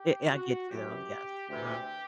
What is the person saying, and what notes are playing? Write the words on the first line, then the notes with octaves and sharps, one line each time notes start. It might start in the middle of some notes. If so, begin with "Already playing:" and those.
It yeah, I get you, though yes, uh-huh.
Already playing: G4
F#4
F#2 E3 G4
D2 C3 E3 G4